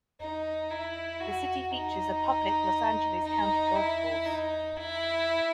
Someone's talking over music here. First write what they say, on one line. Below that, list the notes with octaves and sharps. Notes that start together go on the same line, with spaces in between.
The city features a public Los Angeles County golf course.
D#4
E4
F#4
D#4
D#4
E4
D#4
E4